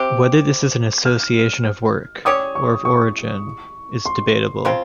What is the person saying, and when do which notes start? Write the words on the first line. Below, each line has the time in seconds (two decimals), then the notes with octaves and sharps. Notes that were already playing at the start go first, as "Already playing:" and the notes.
Whether this is an association of work, or of origin, is debatable.
Already playing: C3 C4 G4
1.05 F6
2.25 G3 C#4 G4 C#5 D#6
2.55 C#6
2.85 C#6
4.06 C6
4.65 C#3 F3 C4 F4